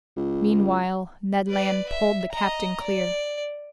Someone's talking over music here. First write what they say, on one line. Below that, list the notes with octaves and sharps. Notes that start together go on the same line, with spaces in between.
Meanwhile Ned Land pulled the captain clear.
C#2
B4 D5
E5
D#5 A#5
D5